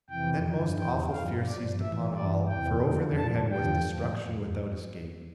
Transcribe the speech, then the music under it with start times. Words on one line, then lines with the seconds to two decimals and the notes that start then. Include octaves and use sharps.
Then most awful fear seized upon all; for over their head was destruction without escape.
0.10 F2 C3 E3 G5
0.44 G2 D3 F3
0.78 E2 E3 G5
1.12 G2 F3 F5
1.46 G2 F3 D5
1.81 A2 E3 E5
2.14 G2 E3 D5
2.48 E2 C3 E3 G5
2.82 F2 D3 F3
3.17 A2 F3 A5
3.51 E2 D3 F3 G5
3.85 A2 F3
4.18 F2